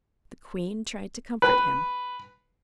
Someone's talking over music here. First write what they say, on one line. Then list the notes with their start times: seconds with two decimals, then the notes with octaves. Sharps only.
The queen tried to comfort him.
1.42 B4